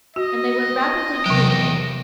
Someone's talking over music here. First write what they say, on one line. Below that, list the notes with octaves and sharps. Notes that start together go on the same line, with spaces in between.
And they went rapidly through it.
F#4 D#5
E2 C3 F#3 G4